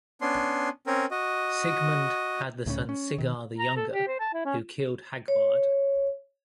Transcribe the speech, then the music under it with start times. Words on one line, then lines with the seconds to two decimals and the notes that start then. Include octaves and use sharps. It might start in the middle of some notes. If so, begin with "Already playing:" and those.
Sigmund had the son Sigar the younger, who killed Hagbard.
0.21 B3 C#4 D4 C6
0.87 C4 C#4 A#4
1.11 F#4 D#5
2.66 C#2 A2 C#3 C#4
2.89 C#4
3.18 B2 D#3
3.59 A#5
3.76 A4
3.92 G4
4.07 C5
4.20 A5
4.34 E4
4.45 C#4
5.28 C#5